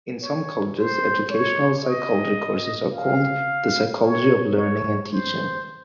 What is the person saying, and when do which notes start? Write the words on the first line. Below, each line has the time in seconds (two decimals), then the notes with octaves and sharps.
In some colleges, educational psychology courses are called "the psychology of learning and teaching".
0.22 C#5
0.77 C5
1.30 C#5
1.85 D#5
2.94 F5
4.02 C#5
4.57 C#5
5.12 C5